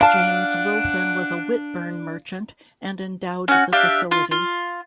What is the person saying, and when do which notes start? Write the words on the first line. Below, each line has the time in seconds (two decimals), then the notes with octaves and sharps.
James Wilson was a Whitburn merchant and endowed the facility.
0.01 D4 D5 F5 F#5 A5
3.48 C#4 F#4
3.73 D4 G4 E5 F5
4.11 F4
4.31 F4